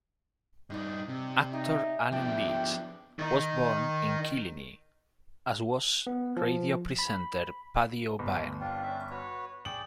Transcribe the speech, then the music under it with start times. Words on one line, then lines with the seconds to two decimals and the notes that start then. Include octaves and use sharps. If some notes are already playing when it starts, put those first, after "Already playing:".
Actor Allen Leech was born in Killiney, as was radio presenter Paddy O'Byrne.
0.70 G2 D#4 D5 D#5
1.08 C3
1.53 D#4 G4 E5
2.12 F3 B3 D4 D5 E5 G5
3.19 D#3 D#4
6.07 B3
6.37 F3
6.99 B5
8.19 G1
8.61 C4 D4 F4
8.82 C#4 D4 E5
9.11 F#4 B4 C#5
9.65 G#4 D5 G5 F#7